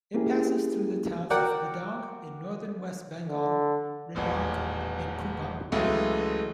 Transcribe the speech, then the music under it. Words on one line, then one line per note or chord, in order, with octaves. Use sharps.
It passes through the towns of Pedong in northern West Bengal, Rhenok, and Kupup.
A#3 C#4 E4 G4 G#4
F#4 A#4 D5 F#5 G5
D3
D#1 A1 E2
C#2 E3 F#3 G#3 A3